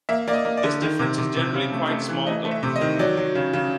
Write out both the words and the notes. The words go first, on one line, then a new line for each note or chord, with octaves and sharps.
This difference is generally quite small though.
A#3 E5
A#3 D5
D#5
A#3
D5
D3
D#3
C3
C3
C3
C#3
A3
A3
E3
A3 D#5
A3
E5
C3
D#5
D#3
F#3 D5
F#3
C#3
C#3